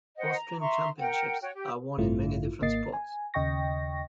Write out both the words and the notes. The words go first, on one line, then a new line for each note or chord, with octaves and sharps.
Austrian championships are won in many different sports.
C5 D#5 F#5 G5
A#5
E5 A#5 C6 C#6
A#4 F#5 G5
F#4 C#5 G5
G4
A1 G2 A3 E4 F4
G#1 A#3 D#5 A6 C7
G#5
D#2 C#3 D#5 G5 C#6 A#6